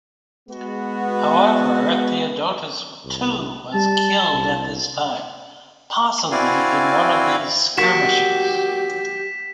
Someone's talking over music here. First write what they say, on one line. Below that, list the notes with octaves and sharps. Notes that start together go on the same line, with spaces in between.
However, Theodotus too was killed at this time, possibly in one of these skirmishes.
G#3 B3 F#4
C2
G3 A5
C2
C4 E4 F#4 D5 F5 G#5
F#3 A#3 F#4 G4 B6 E7